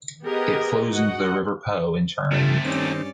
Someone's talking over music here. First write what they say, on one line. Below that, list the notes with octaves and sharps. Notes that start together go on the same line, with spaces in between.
It flows into the river Po in Turin.
B3 G4 G#4 A#4 D#5
F#4 D#5 F#5
G2 C3 A3 F4 A4
G2 D#3 C4 C#4 D5